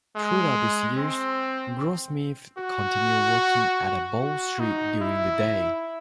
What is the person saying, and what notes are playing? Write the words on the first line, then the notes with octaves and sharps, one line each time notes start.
Throughout these years, Grossmith continued working at Bow Street during the day.
G#3
C4
F#4
F#4
D#4
E4